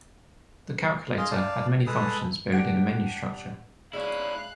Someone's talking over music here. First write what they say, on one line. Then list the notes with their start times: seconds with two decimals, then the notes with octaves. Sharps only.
The calculator had many functions buried in a menu structure.
1.18 G#4 D#5 F5 C6
1.31 D5 F5 A5
1.87 G#3 G#4 A4 B4 A5 D#6
2.52 D4 G4 F#5 D7
3.93 G#3 C#4 E4 D5 F5 F#6